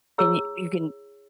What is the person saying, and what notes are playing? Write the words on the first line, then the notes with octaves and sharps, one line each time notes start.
and you you can
E4 G#4 C#5 E6